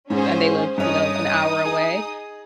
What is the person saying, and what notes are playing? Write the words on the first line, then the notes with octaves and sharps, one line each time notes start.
and they lived, you know, an hour away,
G#2 C#4 G#4 C5
G2 C#4 D#4 D#6
G#4